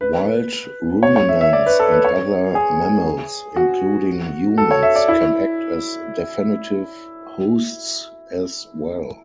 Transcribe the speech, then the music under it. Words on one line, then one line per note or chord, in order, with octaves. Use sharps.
Wild ruminants and other mammals, including humans, can act as definitive hosts as well.
B4
C#5
C#5
E5
E5
D5
B4
A4
B4
C#5
G#4
F#4
A4
C#5
E5
D5
E4